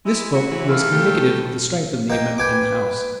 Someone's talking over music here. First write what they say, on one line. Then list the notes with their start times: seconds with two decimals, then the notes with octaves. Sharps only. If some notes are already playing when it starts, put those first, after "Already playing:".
This vote was indicative of the strength of the amendment in the House.
0.06 G#3 E4
0.32 E4 F#4
0.52 E3
0.68 D#2 A4 F5
0.92 A3 G4
2.10 A#3 D#5 G5
2.38 B4 G5 G#5 D6